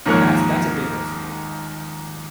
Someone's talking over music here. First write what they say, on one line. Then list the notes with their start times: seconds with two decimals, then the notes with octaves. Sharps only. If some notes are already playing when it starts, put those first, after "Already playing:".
That's that's a big one for me.
0.06 D#2 G#2 F3 A#4 C#5 F#6